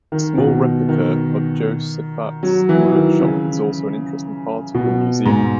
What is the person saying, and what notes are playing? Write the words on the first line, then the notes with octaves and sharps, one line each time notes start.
A small replica of Josafat's workshop is also an interesting part of the museum.
D#3
B2
D#3
F#3
E3
D#3
C#3
B2
G#2